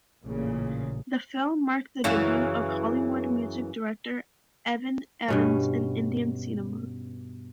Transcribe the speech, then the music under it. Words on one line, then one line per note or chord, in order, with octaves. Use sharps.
The film marked the debut of Hollywood music director Evan Evans in Indian cinema.
A1 A#2 C#3
F#2 C#3 E3
G2 B2 C#4